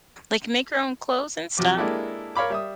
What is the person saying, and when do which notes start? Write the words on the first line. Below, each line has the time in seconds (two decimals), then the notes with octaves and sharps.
like, make our own clothes and stuff.
1.57 C3 F3 F#3 D6
1.77 G#3 A#3 D4 E4 G4 A4
2.35 A#4 C#5 F5 B5 D6
2.50 G3 E5 D#6